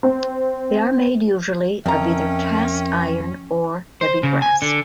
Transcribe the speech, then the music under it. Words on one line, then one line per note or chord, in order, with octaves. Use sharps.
They are made usually of either cast iron or heavy brass.
C4
F2 C#4 A#4 E5 G5 A#5
C5
C#3
G#5
D3